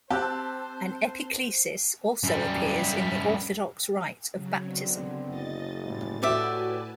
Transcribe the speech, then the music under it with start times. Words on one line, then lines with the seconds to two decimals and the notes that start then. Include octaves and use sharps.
An epiclesis also appears in the Orthodox rite of Baptism.
0.11 C4 G4 C5 A5 E6 F#6
2.24 F#2 G3
4.34 C#3 F#3
4.66 D3 B3 C4
5.29 F#1 D#5 A6
5.83 A2 D3 G3 G#3 A6
6.22 A2 F#4 G4 B4 D5 E5 G#5 A5